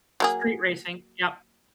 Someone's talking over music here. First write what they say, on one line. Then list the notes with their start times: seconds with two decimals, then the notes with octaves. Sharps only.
Street racing, yep.
0.20 F#3 A#3 G#4